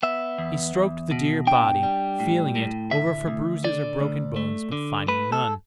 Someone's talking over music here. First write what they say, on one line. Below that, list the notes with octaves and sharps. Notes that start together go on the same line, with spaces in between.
He stroked the dear body, feeling it over for bruises or broken bones, but finding none.
B3 E5
E2
E2
B2
D4 G5
G3
A2
A2
D2 E5
D2
D3 D5
D2
A3
D3
A3 B4
A4